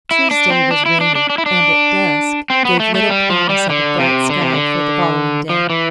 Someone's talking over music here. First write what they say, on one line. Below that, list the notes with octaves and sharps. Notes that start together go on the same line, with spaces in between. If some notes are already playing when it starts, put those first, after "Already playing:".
Tuesday was rainy, and at dusk gave little promise of a bright sky for the following day.
E4
D4
C4
D4
E4
D4
D4
D4
E4
D4
C4
B3
A3
A3
G3
F3
G3
D3
C3
D3
C3
D3
F3
E3